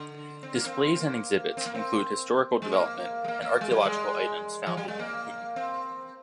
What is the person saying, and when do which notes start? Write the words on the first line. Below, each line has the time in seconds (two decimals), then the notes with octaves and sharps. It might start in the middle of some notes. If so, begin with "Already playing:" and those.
Displays and exhibits include historical development and archaeological items found in Lamphun.
Already playing: D3
0.43 C4
0.54 A#3
0.66 C4
0.95 C4
1.00 A#3
1.57 C4
1.66 A#3
1.75 C4
2.62 G#3
2.72 A#3
3.24 G#3
3.28 A#3
3.42 A#3
3.61 G#3
3.71 G3
3.85 G#3
4.67 F3
4.77 G3
4.88 G#3
4.99 A#3
5.56 C4